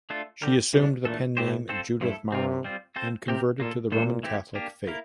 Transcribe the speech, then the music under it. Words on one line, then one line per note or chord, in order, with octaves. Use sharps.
She assumed the pen name Judith Maro and converted to the Roman Catholic faith.
A3 D4 F4 A4
D3 C4 G4 A#4
C3 E3 G3 D4
A#2 E3 A3 D4 A4
A2 E3 A3 C4 G4 C5
C4 F4 A4 C5
G2 F3 A3 E4 A4
C3 C4 F4 A#4
G3 C4 F4
C4 F4 A4 C5
C3 C4 G4 A#4
A#2 A#3 F4 A4
A#2 E3 G3 D4 A4 C5
E3 A3 C4 E4 G4
A#3 D4 G4
A#3 E4 A#4